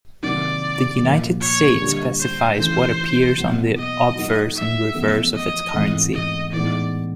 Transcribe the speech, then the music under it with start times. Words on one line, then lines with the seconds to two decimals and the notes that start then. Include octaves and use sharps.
The United States specifies what appears on the obverse and reverse of its currency.
0.23 C3 D#3 F#3 A#3 D5
1.00 A#2 F3 A#3
1.40 C#5
1.79 D3 G3 A#3 D4 G4
2.19 C5
2.58 C#3 E3 A3 C5
3.38 B2 F#3 A#3
3.77 D#5
4.15 F#3 A#3 D#4
4.56 E5
4.94 E2 C#3 F3 A3
5.34 D#5
5.74 G#2 E3 A3 C4
6.13 D#5
6.52 A2 E3 G#3 B3 D#4 D5